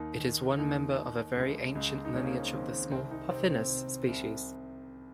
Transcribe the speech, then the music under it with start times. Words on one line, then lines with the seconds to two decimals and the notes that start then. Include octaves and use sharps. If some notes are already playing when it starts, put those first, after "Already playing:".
It is one member of a very ancient lineage of the small "Puffinus" species.
Already playing: D#2 D#4
0.19 D#3
0.58 D#2 D#4
0.98 D#2
1.36 C#2
1.75 C#2
2.05 D#4
2.14 C#2 C#4
2.25 A#3
2.33 C4
2.53 D#3 C4
2.72 C4
2.92 C2 C4
3.11 D#4
3.31 C3 C4
3.50 C4
3.70 C3
4.08 C2